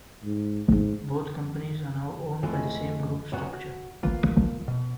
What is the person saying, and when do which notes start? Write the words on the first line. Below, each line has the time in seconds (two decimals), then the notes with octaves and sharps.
Both companies are now owned by the same group structure.
0.24 G#2
0.69 G#2
2.43 F2 E3 F3 G#3 A3
3.32 C#2 F#2 A#2 B3 F#4 C#5
3.53 F#4
4.03 A#3 F4 B4
4.68 B2